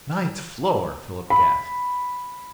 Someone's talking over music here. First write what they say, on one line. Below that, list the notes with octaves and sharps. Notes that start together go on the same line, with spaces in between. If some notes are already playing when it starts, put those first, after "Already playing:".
"Ninth floor!" Philip gasped.
B5